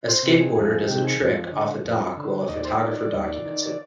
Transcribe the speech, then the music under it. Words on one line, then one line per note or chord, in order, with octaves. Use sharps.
A skateboarder does a trick off a dock while a photographer documents it.
C5
C3 D#3
G#4
F2 G#4
G#4
C3 D#3 G4
G#4
F2
D3
F2
D3
D#2 D#5
D5
C5
D5
D#3
D#2
D#3
D5